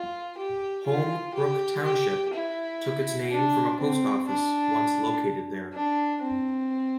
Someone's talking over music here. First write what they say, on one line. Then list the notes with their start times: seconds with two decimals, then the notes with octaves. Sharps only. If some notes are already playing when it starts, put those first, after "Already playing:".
Home Brook Township took its name from a post office once located there.
Already playing: F4
0.37 G4
0.86 F4
1.34 G4
1.83 G4
2.33 E4
3.30 D4
3.79 C4
4.27 D4
5.73 D4
6.22 C4